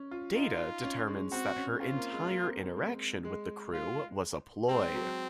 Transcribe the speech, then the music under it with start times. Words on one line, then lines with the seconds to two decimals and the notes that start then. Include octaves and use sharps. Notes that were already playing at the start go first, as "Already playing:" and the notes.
Data determines that her entire interaction with the crew was a ploy.
Already playing: C#4
0.11 F4
0.35 D#4 F4
0.83 C#4
1.07 G#3
1.32 C4 F#4
1.57 C#4
1.80 C4 F4
1.96 A#3
2.12 G#3
2.29 A#3
2.40 A#3
2.45 C4
2.61 C4
2.76 G#3
3.25 G#3
3.73 F4
4.70 G#3 C4
4.95 F#3